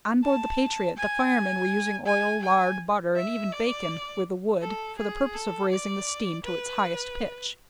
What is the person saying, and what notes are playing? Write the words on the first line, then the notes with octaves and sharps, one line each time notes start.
On board the Patriot, the firemen were using oil, lard, butter, and even bacon, with the wood, for the purpose of raising the steam to its highest pitch.
A5
G#5
G#5
G#5
E5
D5
A4
G#4
A4
D5
B4